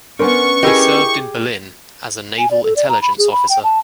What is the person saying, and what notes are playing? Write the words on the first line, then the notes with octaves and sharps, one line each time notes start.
He served in Berlin as a naval intelligence officer.
B3 C#4 D4 A#4 C5 C#6
E4 G4 G#4 A#4 D#5
G#5
D5
A4
D5
A#5
B5
G#4
B5
G5
A5